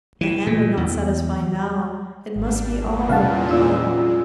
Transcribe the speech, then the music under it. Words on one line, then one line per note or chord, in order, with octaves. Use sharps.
The hand would not satisfy now; it must be all, all!
E3
A#2
E2
G#1 G3 D4
E2 A#2
C3 G3 C#4 F5 F#5 A5
C#4 D4 F4 D5 E6
G#3